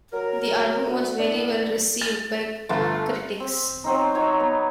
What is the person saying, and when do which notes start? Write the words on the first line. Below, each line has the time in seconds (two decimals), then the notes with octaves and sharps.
The album was very well received by critics.
0.13 F#3 A#4
0.85 D2
1.19 A2 B3 D4
2.01 A6
2.69 G1 A3 F4 C6
3.40 C4
3.84 F#3 C4 D#4
4.15 D#4 F#4 C#5
4.40 B3